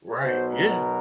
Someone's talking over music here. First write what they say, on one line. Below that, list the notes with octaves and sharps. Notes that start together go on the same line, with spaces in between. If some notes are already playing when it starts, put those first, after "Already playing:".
Right, yeah,
B1 B2 F#3 C5
A#4